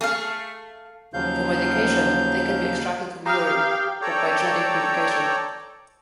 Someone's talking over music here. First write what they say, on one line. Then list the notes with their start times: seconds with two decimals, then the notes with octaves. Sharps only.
For medication, they can be extracted from urine or by genetic modification.
0.01 A3 G#4 F5
1.14 D#2 C#3 F3 F#3 F5 G6
3.26 G4 F5 A#5 D#6 F6
4.02 A4 C#5 D5 G5 A#5